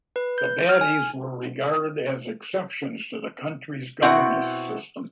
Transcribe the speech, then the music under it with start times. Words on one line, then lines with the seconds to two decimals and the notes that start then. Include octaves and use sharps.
The bateys were regarded as exceptions to the country's governance system.
0.16 B4
0.38 G6
0.69 F6
0.81 G#5
4.02 B2 C4 E4 F#5